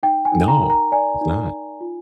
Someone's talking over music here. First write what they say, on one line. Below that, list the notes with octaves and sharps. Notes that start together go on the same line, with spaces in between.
No, it's not.
D#4 G5
G#5
D#4
A#5
A#4
A#5
D5 G#5
D#4
D#4
F4